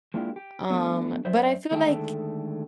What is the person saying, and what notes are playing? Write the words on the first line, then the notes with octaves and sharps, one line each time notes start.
Um, but I feel like
G#3 A#3 D4 E4 F4 G4
G4
F3 G3 A3 B3 D4
F#2 C5 D5 E5
D3 D#3 G#3 A3 A4 G5